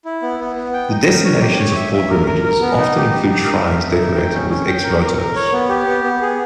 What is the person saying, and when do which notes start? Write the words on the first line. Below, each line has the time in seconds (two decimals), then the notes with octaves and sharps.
The destinations of pilgrimages often include shrines decorated with ex-votos.
0.05 E4
0.22 B3
0.39 B3
0.56 B3
0.74 G5
0.90 D#4
1.07 A#4
1.24 C#5
1.41 G4
1.59 C#5
1.76 E5
1.93 E5
2.10 A#4
2.27 A#4
2.45 A#4
2.61 B3
2.78 D#4
2.96 G4
3.12 G4
3.30 D#4
3.46 A#4
3.64 E5
3.81 E5
3.98 D#4
4.15 G5
4.32 C#4
4.50 C#4
4.67 G5
4.83 A#4
5.01 A#4
5.18 A#4
5.36 C#5
5.53 B3
5.69 G4
5.86 B3
6.03 B3
6.21 G#4